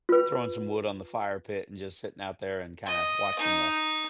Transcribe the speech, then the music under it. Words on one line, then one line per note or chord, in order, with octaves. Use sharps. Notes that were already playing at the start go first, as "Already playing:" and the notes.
throwing some wood on the fire pit, and just sitting out there, and kinda watching the
F4 B4
D#5
D#4